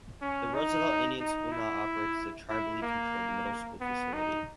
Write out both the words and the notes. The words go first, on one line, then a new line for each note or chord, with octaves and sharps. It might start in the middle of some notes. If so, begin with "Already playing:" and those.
The Roosevelt Indian School now operates as a tribally controlled middle-school facility.
C#4
D#4
D#4
E4
E4
A#3
B3
D#4